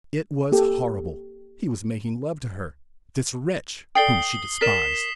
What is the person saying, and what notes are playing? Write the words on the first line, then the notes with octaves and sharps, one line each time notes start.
It was horrible; he was making love to her, this wretch, whom she despised.
A#3 G4 A4
A4 D5 G5 D#6 C7 G7
A#4 D5 B6 E7